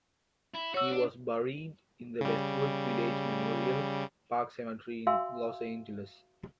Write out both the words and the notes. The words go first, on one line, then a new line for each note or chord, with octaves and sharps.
He was buried in the Westwood Village Memorial Park Cemetery in Los Angeles.
E4
F#4 C#5 E6
D4
C#3 G3
F#4 E5 F5 G#5 C6 E6